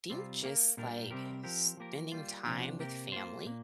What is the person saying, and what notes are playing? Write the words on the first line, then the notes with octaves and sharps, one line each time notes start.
think just, like, spending time with family,
C3 G3 C4 F4
A#3 G4 A#4
A#2 G3 D4 A#4
C3 G3 C4 G4 A#4
F3 C4 G4 A#4
F3 A#3 G4 A#4
G3 A#3 F4
C3 F3 D4 G4
C3 A#3 G4 A#4
A#3 F4 C5
A#2 A#3